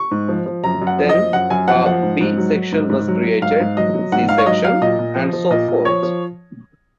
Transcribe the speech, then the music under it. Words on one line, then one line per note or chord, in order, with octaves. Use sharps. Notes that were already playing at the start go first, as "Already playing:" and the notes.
Then a "B" section was created, "C" section, and so forth.
Already playing: C#6
G#2
F3
F3
F#2 A#5
F#2
F#5
F3
D#5
F3
F#2 F#5
F#2 G#5
F3 F#5
F3 F#5
G#2
G#2
F#3
F#3
G#2
G#2
F#3
F#3
G#2 F5
G#2
F#3 D#5
F#3
G#2 F#5
G#2 F5
C#5
F#3 D#5
F#3 F5
A#2 D#5
A#2
F3
F3
A#2 D#5
A#2
F3 C#5
F3